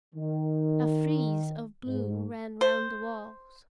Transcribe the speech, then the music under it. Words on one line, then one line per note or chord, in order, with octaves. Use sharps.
A frieze of blue ran round the walls.
D#3
G#2
C5